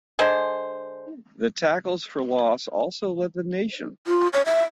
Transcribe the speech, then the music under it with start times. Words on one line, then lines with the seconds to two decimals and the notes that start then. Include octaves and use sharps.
The tackles for loss also led the nation.
0.19 D3 G#3 D4 C5
4.07 F4
4.33 C#5
4.46 E5